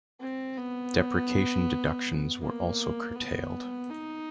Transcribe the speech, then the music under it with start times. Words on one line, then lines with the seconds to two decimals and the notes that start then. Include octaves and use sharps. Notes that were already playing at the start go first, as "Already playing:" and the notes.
Depreciation deductions were also curtailed.
0.21 C4
0.57 B3
2.42 A#3
3.15 B3
3.89 D#4